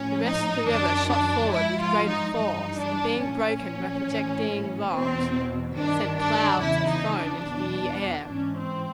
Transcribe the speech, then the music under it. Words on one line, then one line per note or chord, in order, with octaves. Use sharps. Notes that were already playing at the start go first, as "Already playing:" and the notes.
The rest of the river shot forward with greater force, and, being broken by projecting rocks, sent clouds of foam into the air.
Already playing: A2 F3 C#4
D#4
F#2 D#3 D4
D4
G#2 F3 E4
F4
D#4
G2 E3 D#4
D4
A#2 F3 C#4
A2 E3
E2 B2 C4
G2 D#3 D4
D4
E2 C#3 E3 E4
D#4
D4
E2 B2
G#2 E3 C#4
C4